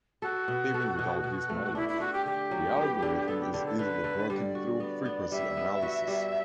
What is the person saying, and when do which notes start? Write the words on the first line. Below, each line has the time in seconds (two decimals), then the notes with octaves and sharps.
Even without this knowledge, the algorithm is easily broken through frequency analysis.
0.22 F#4 A4
0.48 B2
0.74 A4
0.99 B2
1.24 B2
1.49 A3
1.75 D4 E4
1.89 E4
2.00 A3 F#4
2.13 G4
2.26 D3 G4
2.51 F#3
2.77 B3
3.02 D3
3.28 B3 A4
3.41 G4
3.54 D3 G4
3.66 A4
3.78 D3 B4
4.04 D3
4.29 G3 D5
4.55 F#4
4.80 B3
5.05 B3
5.32 G3 E5
5.57 B3
5.82 F#4
6.08 G3